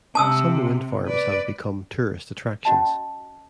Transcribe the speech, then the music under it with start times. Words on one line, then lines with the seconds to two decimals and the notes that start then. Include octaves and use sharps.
Some wind farms have become tourist attractions.
0.15 C3 A5 D#6 E6
1.06 B4 D5
2.65 C#4 F#4 D#5 A5